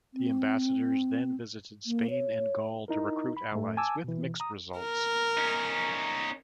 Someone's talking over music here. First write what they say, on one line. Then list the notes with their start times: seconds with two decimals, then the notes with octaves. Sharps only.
The ambassadors then visited Spain and Gaul to recruit allies, with mixed results.
0.14 C4
1.86 A#3
2.10 C#5
2.88 D#4 E4 A#4
3.37 B5
3.52 A2 A3
3.77 G#5 A5 D6 E6
4.04 B2 E3
4.40 A#5 D#6
4.79 A#4
5.38 C#4 D#4